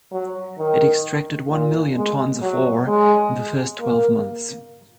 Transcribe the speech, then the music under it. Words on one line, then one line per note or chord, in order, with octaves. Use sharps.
It extracted one million tonnes of ore in the first twelve months.
F#3
D#3
A#2
G#3
F#3
G#3
A#3